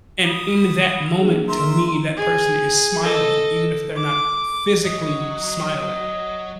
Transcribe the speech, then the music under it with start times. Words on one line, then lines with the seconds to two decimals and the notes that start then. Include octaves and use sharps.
and in that moment, to me, that person is smiling, even if they're not physically smiling.
0.25 B5 D#6
1.19 A#3 D4 G#4
1.49 A#4 E5 A#5 C6
2.17 G#4
3.02 A4 D#5
3.96 D6
4.85 F#3 D#5